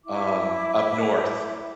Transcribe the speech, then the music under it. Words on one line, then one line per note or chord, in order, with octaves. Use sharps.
um, up north,
E4 D6